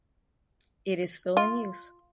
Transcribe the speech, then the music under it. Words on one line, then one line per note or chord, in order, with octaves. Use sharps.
It is still in use.
F4